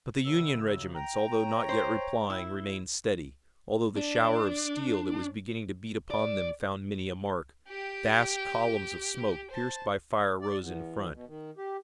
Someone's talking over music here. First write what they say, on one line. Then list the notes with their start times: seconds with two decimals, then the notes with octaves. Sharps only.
But the Union regiments, although not yet replying, remained steady, although the shower of steel that was beginning to beat upon them found many a mark. Vast columns of smoke pierced by fire rose in front.
0.25 F#2 C#3 E6
0.94 G5 A#5
1.32 C#5
1.69 C5
2.30 E4
3.96 D4
6.11 D5
7.69 G4 G5
9.51 C5 A5
10.42 D5
10.60 E2
11.14 B2
11.28 D#3
11.57 G4